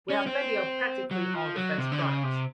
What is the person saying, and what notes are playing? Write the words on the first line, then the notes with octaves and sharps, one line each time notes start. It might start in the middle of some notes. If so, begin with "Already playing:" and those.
We have plenty of practically all defense products.
C#4
C4
F#3
F3
F#3
C3
D3
C#3
C3